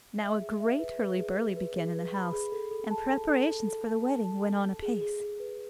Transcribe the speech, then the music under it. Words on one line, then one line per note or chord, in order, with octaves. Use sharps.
Now a great hurry-burly began in the house, and preparations for the wedding went on apace.
E5
G#4
E5
B4
B4
G#4
G#4
B4
G#4
B4
B5
G#4
A4
A4
A5
A4
A4
A4
A4
A5
A5
A5
A4
A4
G#4
G#4
G#4
B4